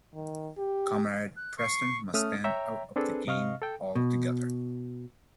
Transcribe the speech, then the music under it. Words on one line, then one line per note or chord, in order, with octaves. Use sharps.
Comrade Preston must stand out of the game altogether.
D#3
G4
F#6
C#6 C7
A3 C#4 D#6 F6
C#5 E5 G5 A#5
C4 D4 G#4 A4 B4
C3 D#5 F5 C#6 F6
A4 G5
B2